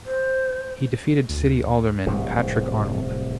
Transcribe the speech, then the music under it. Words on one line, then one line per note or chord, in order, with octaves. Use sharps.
He defeated city alderman Patrick Arnold.
C5
D2
D1 C2 C3 F3